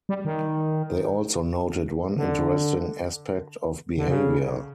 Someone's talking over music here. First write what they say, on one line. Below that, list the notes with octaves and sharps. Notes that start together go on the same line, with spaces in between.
They also noted one interesting aspect of behaviour.
G3
D#3
D3
D3
C#3